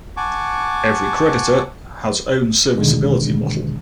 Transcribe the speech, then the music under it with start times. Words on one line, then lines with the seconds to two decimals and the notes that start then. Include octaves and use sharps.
Every creditor has own serviceability model.
0.17 F#5 G#5 A5 C#6 D6
2.77 E2 B2 D3 D#3 G#3 D4